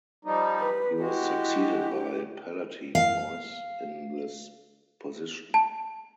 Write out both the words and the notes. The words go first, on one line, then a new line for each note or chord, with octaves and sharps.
He was succeeded by Palatine Mojs in this position.
F3 G3 D#4
B4
G#3 E4 F#4 G4
F5
A5